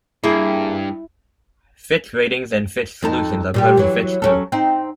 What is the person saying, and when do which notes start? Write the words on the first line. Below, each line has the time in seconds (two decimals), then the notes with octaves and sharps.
Fitch Ratings and Fitch Solutions are part of the Fitch Group.
0.24 G2 A#3 E4 G#4
3.02 F2 D#4 A4
3.54 A#2 G3 G4
3.77 E3 F#3
4.22 F#3 C#4 A4
4.52 C4 D#4